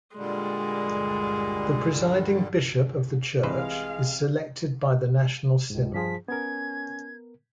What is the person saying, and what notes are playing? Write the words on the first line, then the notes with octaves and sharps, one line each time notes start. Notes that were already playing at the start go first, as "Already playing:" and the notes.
The presiding bishop of the church is selected by the national synod.
A#2 D3 G3 G#3
C2 C3 E3 G#3 B4 C5 F5
C#2 G#2
G2 F3 F4 G#4 B6
B3 C#4 A#4 G#6